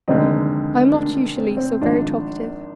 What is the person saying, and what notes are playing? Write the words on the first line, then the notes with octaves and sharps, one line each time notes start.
I am not usually so very talkative.
F1 D#2 D3 G#3 C4 D#4
D4
C4
C4
G#1 G#2 F3 D4